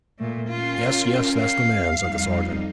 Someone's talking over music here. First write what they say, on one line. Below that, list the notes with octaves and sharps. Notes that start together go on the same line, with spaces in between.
'Yes, yes; that's the man,' said the sergeant.
A#2 A3
C#4 F4 A#4 G5
F5
F2 G3 D#4